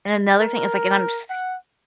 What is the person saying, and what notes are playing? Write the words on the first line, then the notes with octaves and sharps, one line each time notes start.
And another thing is, like and I'm s
A#4
F#5